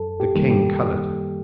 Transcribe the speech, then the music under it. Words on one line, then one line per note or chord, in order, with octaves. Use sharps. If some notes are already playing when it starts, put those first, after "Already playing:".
The king colored.
Already playing: F#2 A4
G4
D#3 G3 A#3
G4